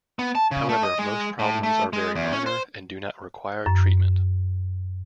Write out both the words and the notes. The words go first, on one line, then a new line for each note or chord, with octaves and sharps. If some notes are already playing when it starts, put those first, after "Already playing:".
However, most problems are very minor and do not require treatment.
B3
A5
C#3
A3
D#5
G#3
A2
A3
G#3
E2
C#4
C5
F#2